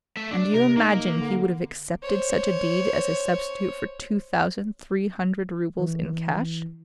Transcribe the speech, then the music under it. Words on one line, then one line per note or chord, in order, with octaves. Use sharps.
"And you imagine he would have accepted such a deed as a substitute for two thousand three hundred roubles in cash?"
A3 E5
D4
C3 A#4
A#3 D#4
D3
C5 C#5
E3